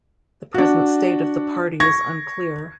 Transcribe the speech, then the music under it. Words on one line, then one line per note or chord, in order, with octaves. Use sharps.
The present state of the party is unclear.
D4 F#4
C#6 G#6 A#6